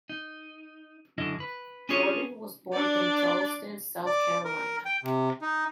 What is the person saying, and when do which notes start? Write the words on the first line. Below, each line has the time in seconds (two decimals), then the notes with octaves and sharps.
Jordan was born in Charleston, South Carolina.
0.09 D#4
1.18 F#2 D3 E4 D#5
1.40 B4
1.89 C#4 D4 F4 G#4 C#5
2.72 D4 D5
4.06 D5
4.45 A#4
4.85 G5
5.03 C3
5.42 D#4